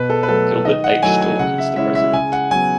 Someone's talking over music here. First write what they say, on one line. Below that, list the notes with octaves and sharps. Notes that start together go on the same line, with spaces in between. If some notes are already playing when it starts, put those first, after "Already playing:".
Gilbert H. Stork is the president.
Already playing: B2 B4
A4
B4
F#3 A3 A4
D#3 D#5
F#5
F#3 A3 E4 G#5
G#5
C#3 F#5
E5
G#3 C#4 E4 E5
E5
C#3 G#5
F#5
F#3 B3 G#5